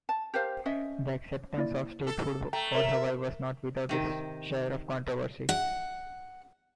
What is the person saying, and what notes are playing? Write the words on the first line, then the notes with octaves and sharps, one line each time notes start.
The acceptance of statehood for Hawaii was not without its share of controversy.
A5
G4 A#4 C5 F5
C#4 D#5 E5
A#3 E4 D5
A4
A3 G5 A#5
A#4 C#5 E5
C3 D#3
F#5